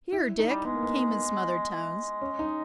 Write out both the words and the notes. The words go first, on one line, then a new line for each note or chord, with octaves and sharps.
"Here, Dick," came in smothered tones.
E4
D#4
G3
G#3 B3
A#3
B3
G#3
C#4
D#4